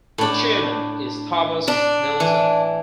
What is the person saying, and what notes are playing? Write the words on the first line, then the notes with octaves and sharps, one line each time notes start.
The chairman is Thomas Neelsen.
A2 D4
D4
E3